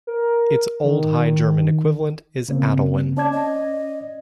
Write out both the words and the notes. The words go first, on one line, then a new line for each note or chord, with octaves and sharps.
Its Old High German equivalent is Adalwin.
A#4
D#3
C#3 A#3 C4
C#4 D5 A5 G#6
D#5